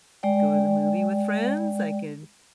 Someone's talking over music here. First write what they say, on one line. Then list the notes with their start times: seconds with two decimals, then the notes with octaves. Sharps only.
go to the movie with friends, I can
0.23 G#3 D5 G5